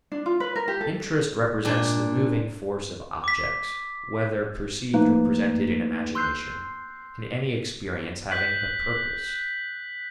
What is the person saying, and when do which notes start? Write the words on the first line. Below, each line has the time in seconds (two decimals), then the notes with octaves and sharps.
Interest represents the moving force of objects--whether perceived or presented in imagination--in any experience having a purpose.
0.12 D4
0.26 F4
0.40 B4
0.56 A#4
0.68 G4
0.81 A4
1.65 A#2 D4
3.24 D6 B6
4.93 F3 A3 A#3 D#4 B4
6.15 C6 E6 F#6 G6 C7
8.31 F#6 G6 B6 F#7